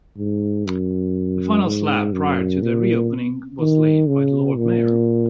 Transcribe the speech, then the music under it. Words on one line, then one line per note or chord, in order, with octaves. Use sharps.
The final slab prior to the reopening was laid by the Lord Mayor.
G#2
F#2
G#2
F#2
A#2
D#3
C#3
A#2